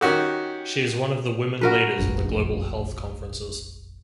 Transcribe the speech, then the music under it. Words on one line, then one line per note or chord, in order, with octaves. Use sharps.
She is one of the Women Leaders in the Global Health Conferences.
D#3 C#4 F#4 G4
F#4 A#4 B4
F1 A#1 F#2